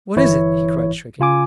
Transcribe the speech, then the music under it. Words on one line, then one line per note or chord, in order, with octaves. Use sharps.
"What is it?" he cried, shrinking.
G1 E3 E4 C#5
C#3 F4 G#5 D6